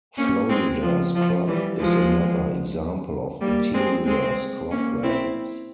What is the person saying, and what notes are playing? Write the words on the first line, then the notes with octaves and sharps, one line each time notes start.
Florida scrub is another example of interior scrublands.
A#3 C#4
G#3 C4
F3
F3
E3 G3
F3 G#3
G3 A#3
G#3 C4
G#3 C4
A#3 C#4
C4 E4